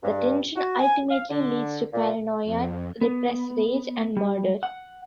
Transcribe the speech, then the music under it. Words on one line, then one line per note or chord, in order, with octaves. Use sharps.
The tension ultimately leads to paranoia, repressed rage and murder.
G2
F#4
G#5
F5
D3
A#2
F2
B3
G3
F#5